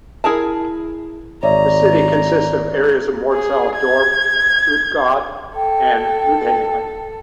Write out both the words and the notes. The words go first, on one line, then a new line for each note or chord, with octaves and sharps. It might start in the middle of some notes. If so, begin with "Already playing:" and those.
The city consists of the areas Mortsel-Dorp, Oude-God and Luithagen.
E4 G#4 A#4 A5
G#1 C#5 D5 E5 A#5
G#4
G#6
A4 G5